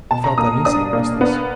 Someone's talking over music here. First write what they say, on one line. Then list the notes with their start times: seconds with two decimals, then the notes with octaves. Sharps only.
He felt uneasy and restless.
0.11 B2 A5
0.24 A#5
0.38 A#3 D#6
0.65 D4 D#6
0.93 A#3
1.21 B3